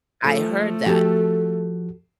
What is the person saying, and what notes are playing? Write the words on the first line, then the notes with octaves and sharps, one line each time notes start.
I heard that,
F3 A3 A4
F3 F#4 G4 A4